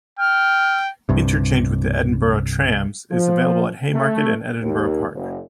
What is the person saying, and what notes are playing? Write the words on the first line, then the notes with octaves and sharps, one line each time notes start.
Interchange with the Edinburgh Trams is available at Haymarket and Edinburgh Park.
G5 F6
C2 G2 C3
F3
A3
D#2
F#1